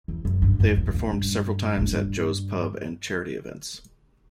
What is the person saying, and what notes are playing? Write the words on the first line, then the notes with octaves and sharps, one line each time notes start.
They have performed several times at Joe's Pub and charity events.
E2
F#2
G2
F#2
E2
G2
G2
A2
G2